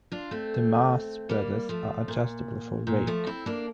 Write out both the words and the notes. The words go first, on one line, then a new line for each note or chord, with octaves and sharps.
The mast spreaders are adjustable for rake.
D4 F4
A3 C4
G3 A#3
F3 A3
A#2
A#2
F3 A3
C4 E4
A#3 D4